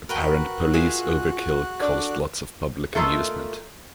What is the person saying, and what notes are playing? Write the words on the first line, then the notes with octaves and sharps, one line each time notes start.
Apparent police overkill caused lots of public amusement.
F#4 A#4 B4 G5 F#6
F4 G#4 E5 F5
D4 A4 D5
A3 A#3 F4 A4 D#5